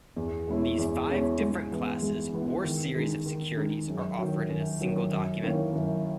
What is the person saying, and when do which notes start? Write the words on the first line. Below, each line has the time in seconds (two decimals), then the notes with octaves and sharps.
These five different classes or series of securities are offered in a single document.
0.16 E2
0.47 B2 G#3 C#4 E4
0.78 E2
1.09 B2 G#3 C#4 E4
1.40 G#2
1.71 E3 B3 E4
2.03 G#2
2.33 E3 B3 E4
2.64 D#3
2.95 G#3 D#4
3.26 D#3
3.57 G#3 D#4
3.88 F#2
4.19 D#3 F#3
4.50 F#2
4.81 D#3 F#3
5.12 F#2
5.43 D#3 A#3 C#4 E4
5.73 F#2